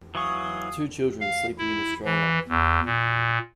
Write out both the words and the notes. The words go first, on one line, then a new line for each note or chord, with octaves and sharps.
Two children sleeping in a stroller.
E3 F#3 F5 G#5 C#6 D#6
F5
E4
E3
E2
A#2